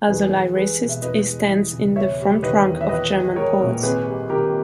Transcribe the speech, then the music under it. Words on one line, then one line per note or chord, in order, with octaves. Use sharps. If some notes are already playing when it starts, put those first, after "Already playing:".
As a lyricist he stands in the front rank of German poets.
E2 G#4 B4
E2
G#3 G#4 B4
B2
E5
E2 B4 D#5
G#3
E3
C#3
E1 C#5 E5
G3
D#3 B4 D#5
E2
E5
A#1 B4 D#5
A#1
G#3 A#4 C#5
A#2
G#1 G#4 B4
G3
D#3 G4 A#4